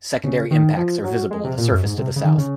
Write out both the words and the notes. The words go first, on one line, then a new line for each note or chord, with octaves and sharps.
Secondary impacts are visible in the surface to the south.
C#3
D#3
F3
F#3
G#3
C3
A#2
F#2
G#2
C3
C#3
D#3
C#3